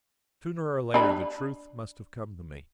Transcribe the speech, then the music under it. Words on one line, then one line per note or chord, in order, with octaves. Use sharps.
Sooner or later the truth must have come to me.
D4 B5